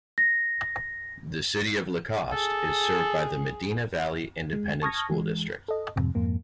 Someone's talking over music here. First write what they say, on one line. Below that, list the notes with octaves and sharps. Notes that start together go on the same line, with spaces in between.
The City of LaCoste is served by the Medina Valley Independent School District.
A#6
G#4 A4
G#3
A5 C#6 D#6 F6 G#6 A#6
E3 G#3
A4 D#5
F2 G#2 C3
F2 G#2 A#3